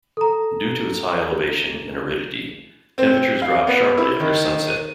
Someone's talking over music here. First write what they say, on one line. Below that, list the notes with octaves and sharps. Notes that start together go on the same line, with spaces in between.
Due to its high elevation and aridity, temperatures drop sharply after sunset.
A4 A#5
C4
F5
B3
E4
D#3
D#7